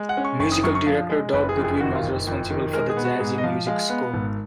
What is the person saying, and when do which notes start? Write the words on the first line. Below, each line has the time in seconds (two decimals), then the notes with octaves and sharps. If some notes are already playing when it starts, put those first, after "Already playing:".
Musical director Doug Goodwin was responsible for the jazzy music score.
Already playing: G#3
0.09 F#5
0.17 C#4
0.25 C#6
0.39 F#1 C#6
0.52 D#6
0.63 F#2 C#6
0.75 C#6
0.87 F3 F5
1.09 G#3
1.33 F#1 B4
1.49 G#4
1.57 F2
1.64 G#4
1.80 D#3 F#4
1.95 F4
2.03 F#1
2.27 F2
2.50 D#3
2.73 G#3 A#4
2.90 G#4
2.97 B3
3.05 F#4
3.20 G#2 G#4
3.38 D#5
3.44 F3 F5
3.67 G#3 F5
3.89 B3
4.14 G#1